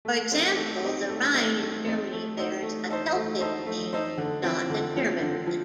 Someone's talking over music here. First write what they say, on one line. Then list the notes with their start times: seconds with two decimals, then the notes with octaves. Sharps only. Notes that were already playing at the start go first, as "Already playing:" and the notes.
For example, the Rhine in Germany bears a Celtic name, not a German name.
0.05 A3
0.32 C4 D#4
0.56 A3
0.83 C4 D#4
1.08 A3
1.34 C4 D#4
1.60 A3
1.86 C4 D#4
2.12 A3
2.37 D#4 A4 C5
2.63 A3
2.89 D#4 A4 C5
3.15 A3
3.41 D#4 A4 C5
3.66 A3
3.93 D#4 A4 C5
4.18 D3
4.43 F3 C4
4.70 D3
4.96 F3 C4
5.21 D3
5.47 F3